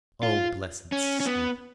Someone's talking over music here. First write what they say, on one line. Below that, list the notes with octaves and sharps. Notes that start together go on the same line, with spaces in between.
O blessed sleep!
F4
C#4
C#4
B3